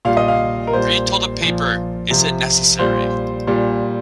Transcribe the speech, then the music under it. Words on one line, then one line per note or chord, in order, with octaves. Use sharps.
Reed told the paper, Is it necessary?
A#2 G3 F5
D#5
F5
A#4
A#2 G3 C5
A#2 F3
C3 F3
A#2 G3 C5
A#2 G3